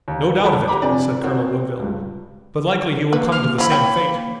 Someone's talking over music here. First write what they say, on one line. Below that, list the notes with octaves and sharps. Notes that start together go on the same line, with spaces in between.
"No doubt of it," said Colonel Woodville, "but likely he will come to the same fate."
D#2
A4 F#5 A5 B5
G4 A#5 B5 D6
F2 C3 C4 D4 D5 G#5
C4 F#4 A#4 C#5
C#2 G2
A#3 B4
F6
F3 E4 B5
C#5 G5